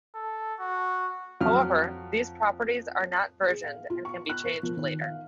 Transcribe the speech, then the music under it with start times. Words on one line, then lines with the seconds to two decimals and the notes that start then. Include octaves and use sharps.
However, these properties are not versioned and can be changed later.
0.15 A4
0.60 F#4
1.41 F2 F#3 F6
3.48 G#4
3.64 F5
3.90 F4
4.05 C#6
4.29 F#6
4.44 A#4
4.63 F3
4.77 D#3
5.01 F5